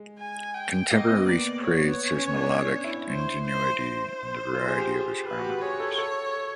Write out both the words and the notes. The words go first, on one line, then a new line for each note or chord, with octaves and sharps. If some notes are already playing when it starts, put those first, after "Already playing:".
Contemporaries praised his melodic ingenuity and the variety of his harmonies.
Already playing: G#3
G#5
G5
A#3 D#5
B3
A#3 D5
B3 C#5
B3
C#4
D4
E4
C5
C5
C5
F4
G#4
G4
G#4
G#4 B4
F#4
G4
G#4 C#5
A4
A4